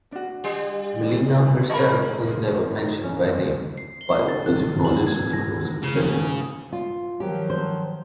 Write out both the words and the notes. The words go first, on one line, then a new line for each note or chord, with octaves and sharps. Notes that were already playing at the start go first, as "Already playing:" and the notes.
Mileena herself was never mentioned by name but was acknowledged in the closing credits.
D4 F#4
G3
G#3 A#4 D#5 B5
D#4
C#4
A#3
C#2
C7
G7
A6
F#6
F#7
G#6
A#6
C#3
F4
D#3 F3 F#3 G4
C5